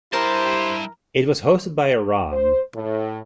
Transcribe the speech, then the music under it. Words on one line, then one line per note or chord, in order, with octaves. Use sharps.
It was hosted by Iran.
G2 E4 G4 A#4 C5 A5
C5
A2